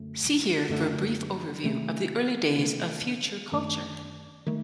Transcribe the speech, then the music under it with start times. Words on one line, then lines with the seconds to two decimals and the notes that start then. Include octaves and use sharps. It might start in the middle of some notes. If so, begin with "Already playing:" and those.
See here for a brief overview of the early days of Future Culture.
Already playing: F#2 D3 A3
0.69 F#2 D3 A3
1.64 C3 D#3 A3 C4
2.58 C3 D#3 A3 C4
3.52 F#2 D#3 A3 D4
4.47 D#3 A3